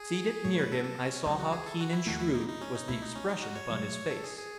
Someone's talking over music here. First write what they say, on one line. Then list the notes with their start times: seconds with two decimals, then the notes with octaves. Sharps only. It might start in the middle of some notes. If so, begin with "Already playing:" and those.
Seated near him, I saw how keen and shrewd was the expression upon his face.
Already playing: G#4
0.45 A2 F#3 A3 C#5
0.58 B4
0.72 A4
0.85 A4
1.05 C#4
1.25 C#2 C#3 F#3 D#4
1.39 F#4
1.52 G#4
1.66 A4
1.80 F#4
1.93 E4
2.06 D#2 D#3 A3 F#4
2.20 E4
2.34 D#4
2.48 D#4
2.61 C#4
2.74 D#4
2.88 C#2 B2 A3 E4
3.02 D#4
3.15 C#4
3.30 D#4
3.42 F#4
3.55 C#5
3.70 B2 F#3 A3
4.10 A4
4.24 G#4
4.37 G#4